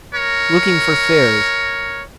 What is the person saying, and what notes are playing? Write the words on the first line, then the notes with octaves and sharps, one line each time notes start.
Looking for fares.
A#4 C#5